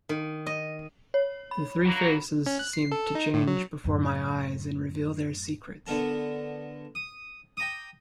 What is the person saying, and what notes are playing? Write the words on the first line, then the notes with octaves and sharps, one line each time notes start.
The three faces seemed to change before my eyes and reveal their secrets.
D#3
D#5
C#5
B5
F#3 A#3 F#4
C#4
F#6
C7
A4
D#4
A2
F#3
F#2 A2
D3 B3 A#4 A5
D#6
G5 A#5 D6 D#6